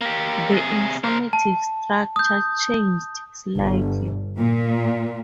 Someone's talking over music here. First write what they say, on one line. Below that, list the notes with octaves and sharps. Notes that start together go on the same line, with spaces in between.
The informative structure changed slightly.
A#3 G4
C3 G#4
A#4 C5
A5
D#6 G6
G1
A#2